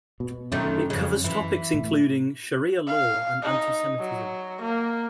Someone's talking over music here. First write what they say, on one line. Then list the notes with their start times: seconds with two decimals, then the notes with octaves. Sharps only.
It covers topics including sharia law and antisemitism.
0.20 B2
0.52 F#2 D3 D#3 A3 C#4
0.90 F2 C#3
1.24 E3
1.74 A2
2.87 F5
3.42 D#4
3.99 F#3
4.61 A#3